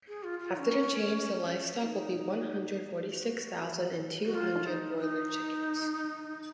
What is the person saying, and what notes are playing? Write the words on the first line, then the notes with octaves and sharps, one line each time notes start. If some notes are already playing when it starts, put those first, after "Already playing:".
After the change, the livestock will be one hundred forty six thousand and two hundred broiler chickens.
G#4
F4
F4
D#4
C#4
F4
D#4
F#4
F#4
F4
D#4
D#4